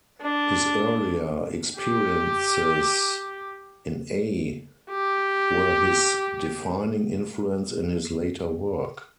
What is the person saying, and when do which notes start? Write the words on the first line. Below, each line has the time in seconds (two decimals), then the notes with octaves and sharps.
His earlier experiences in Ay were his defining influence in his later work.
0.22 D4
1.79 G4
4.91 G4